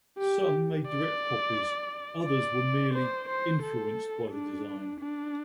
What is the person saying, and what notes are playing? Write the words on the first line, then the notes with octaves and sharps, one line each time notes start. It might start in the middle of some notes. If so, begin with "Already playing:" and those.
Some made direct copies, others were merely 'influenced' by the design.
G4
D5
D5
C5
C5
A4
D4
D4